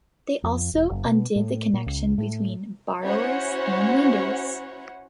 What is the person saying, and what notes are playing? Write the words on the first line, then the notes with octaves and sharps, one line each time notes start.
They also "undid the connection between borrowers and lenders".
F2
E1
F#1
B2
A2
A#2
C#2
A2
C#4 E4 F#4 C5 C#5 F#5